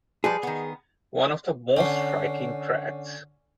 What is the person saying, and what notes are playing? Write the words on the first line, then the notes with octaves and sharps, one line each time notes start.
One of the most striking tracks.
F3 G3 G#4 B4
D#3 B3
D3 C#4 C#5 F#5 C7